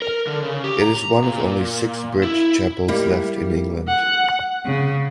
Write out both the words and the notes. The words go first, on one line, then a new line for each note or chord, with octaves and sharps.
It is one of only six bridge chapels left in England.
A#4
D3
C#3
G4
A#5
A#2
E4
G3 A#3 E4
F#5
C#3